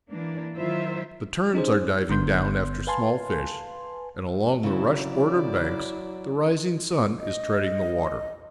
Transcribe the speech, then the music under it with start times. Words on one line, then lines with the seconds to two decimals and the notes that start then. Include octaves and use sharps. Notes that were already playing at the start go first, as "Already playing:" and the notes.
The terns are diving down after small fish, and along the rush-bordered banks the rising sun is treading the water.
0.11 E3 A#3 D4
0.57 D#3 F#3 E4 F4 C5 E5
1.53 C#4 D#4 G#4 C5
2.08 G1 D3 B3 C6 G6
2.87 B4 F5 G#5 A5 C6
4.63 C#3 F#3 C4 E4
4.94 E4 D5
7.20 D#5